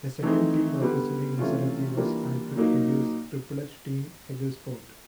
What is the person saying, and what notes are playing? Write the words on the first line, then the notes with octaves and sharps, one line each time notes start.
The second team representing Maserati was Alfrid Heger's Triple H Team Hegersport.
E3 A3 C4 D#4 G#4
D3 G3 B3
C3 E3 A3 C#4 F4
E3 G3 A#3 D4 F4
A#2 F#3 A#3 D#4